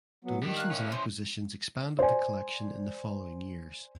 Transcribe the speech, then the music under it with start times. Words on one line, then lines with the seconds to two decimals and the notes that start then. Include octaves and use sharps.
Donations and acquisitions expanded the collection in the following years.
0.25 F#3 B3
0.43 D#3 G3 D4
0.56 A#3 F#6
0.71 C#4 E4
0.92 C5
1.99 C5 D5 G#5